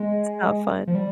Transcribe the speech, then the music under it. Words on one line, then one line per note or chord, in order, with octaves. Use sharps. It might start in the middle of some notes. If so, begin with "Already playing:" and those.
It's not fun.
Already playing: G#3
F3
G3